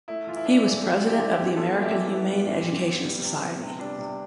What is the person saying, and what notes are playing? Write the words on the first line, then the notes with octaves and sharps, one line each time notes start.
He was President of the American Humane Education Society.
A3 E4
E3 F4
E4
C4 D4
E3
A3 E4
E3
E4 G4
C4
E4 G4
E3
B3 F4 A4
E3
E4 G4
E3
E4
B3
B3
E3
E3
B3
G3
C3
C4
C3
G3 D4
C3